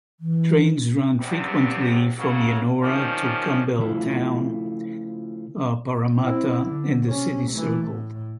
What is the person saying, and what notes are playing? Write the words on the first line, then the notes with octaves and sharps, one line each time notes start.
Trains run frequently from Yennora to Campbelltown, Parramatta and the City Circle.
E3
E2 G2 C3
A1 C#3 F#3
D#3 F3 G3 C#4
C#3 F3 A3 E4 F4
C4 E4
D3
C3 C#4
E3 A3
A2